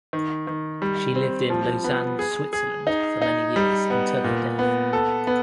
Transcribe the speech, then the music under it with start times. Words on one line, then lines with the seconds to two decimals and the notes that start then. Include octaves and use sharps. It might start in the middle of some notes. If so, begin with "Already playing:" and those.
She lived in Lausanne, Switzerland, for many years until her death.
0.13 D#3
0.47 D#3
0.82 G3
1.16 C4
1.50 F3
1.84 B3
2.19 G#4
2.53 G#4
2.87 D#4
3.22 D#4
3.56 G3
3.90 B3
4.24 A#2
4.59 B3
4.93 A4
5.27 B3